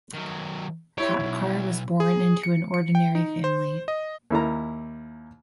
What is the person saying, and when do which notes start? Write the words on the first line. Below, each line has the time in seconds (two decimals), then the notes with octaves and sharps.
Patkar was born into an ordinary family.
0.14 D#3 F#3
0.98 E4 G4 C#5
1.19 B1 E2
2.00 G#4
2.43 C#7
2.74 C#7
2.95 G5
3.15 D#4
3.44 C5
3.88 D#5
4.30 D#2 E4 A#4 A#5